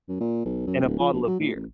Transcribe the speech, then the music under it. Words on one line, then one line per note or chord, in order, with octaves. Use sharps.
and a bottle of beer.
F#2
A#2
B1
F#2
D1
F3
A#1
F#3
A2
A1